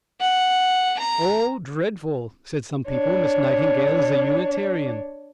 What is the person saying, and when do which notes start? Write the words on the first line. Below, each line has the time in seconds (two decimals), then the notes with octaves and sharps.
"Oh, dreadful!" said some people; "Miss Nightingale is a Unitarian!"
0.21 F#5
0.99 A#5
2.89 D4 C#5